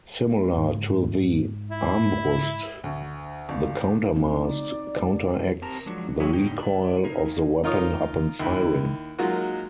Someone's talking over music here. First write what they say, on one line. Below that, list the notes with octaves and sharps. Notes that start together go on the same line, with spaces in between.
Similar to the Armbrust, the countermass counteracts the recoil of the weapon upon firing.
G#2
E4
D2
G1
C4 D#4 F#4
D5
C4 G4 A#4 A5 A#5
F3 F#3 G#3 D4 F#4
F3 E4 F#4 G#4 C#5
A2 D3 B3 D#4 G5
D4 E4
D#4 E4 A#4 F5
D#4 F4 A#4 C#5 D#6
D#2 E4
F#3 G#3 A#3 D#4 F4 F#4